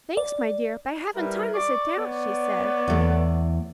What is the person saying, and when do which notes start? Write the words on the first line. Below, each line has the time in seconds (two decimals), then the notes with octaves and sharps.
"Thanks, my dear, but I haven't time to sit down," she said.
0.17 D5
1.15 G3 E4 A#4 B4
1.54 D5 C#6 D6
1.99 B3 C#5 D5
2.88 E2 A3